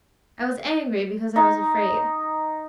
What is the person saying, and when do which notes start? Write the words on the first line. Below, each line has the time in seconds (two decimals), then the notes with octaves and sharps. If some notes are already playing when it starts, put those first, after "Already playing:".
I was angry because I was afraid.
1.36 D#4